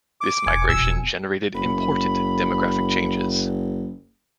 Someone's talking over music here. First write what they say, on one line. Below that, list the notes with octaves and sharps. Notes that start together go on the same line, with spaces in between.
This migration generated important demographic changes.
D6
E1 G#5 G#6 C#7
E1 B2 E6
F#1 B5